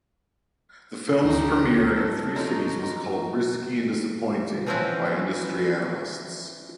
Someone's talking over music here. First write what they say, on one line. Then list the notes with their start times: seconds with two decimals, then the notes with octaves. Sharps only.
The film's premiere in three cites was called "risky" and "disappointing" by industry analysts.
1.22 D2 D3 D4 D#4 G4
1.96 A4
2.36 F3 F#3 D#4 A#5
4.66 E3 F3 C4 C#4 E4 F#4